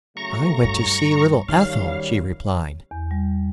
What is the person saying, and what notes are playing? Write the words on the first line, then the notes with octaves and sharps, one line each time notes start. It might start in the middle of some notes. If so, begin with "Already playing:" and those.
"I went to see little Ethel," she replied.
C#3 F#3 A3 A#5 C#6
G2
F#2 D#3 G3 C#5 F5
E2
G3